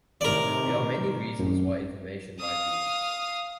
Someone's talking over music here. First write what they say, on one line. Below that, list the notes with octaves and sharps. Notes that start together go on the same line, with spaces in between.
There are many reasons why information might be leaked.
A2 C3 D#3 A#4 D5
G#1 F#2
F5 D#6